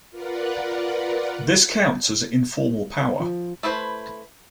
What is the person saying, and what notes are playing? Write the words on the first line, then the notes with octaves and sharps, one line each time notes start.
This counts as informal power.
F4 A#4 B4 D5 F#5
F3
A3 E4 B4 C5